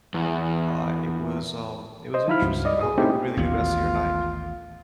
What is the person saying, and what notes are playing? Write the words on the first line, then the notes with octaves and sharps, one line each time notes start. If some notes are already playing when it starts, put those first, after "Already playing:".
Uh, it was, um it was interesting, and I hope you have a really good rest of your night.
E2
C5 D#5
F3 D#4 E4 F5 B5 F6
C#2 G2 F#4
D5 D#5
C2 G#4 D#6
A3 C4 C#4 D#4 E4 G4
A1 D#2 B3 F4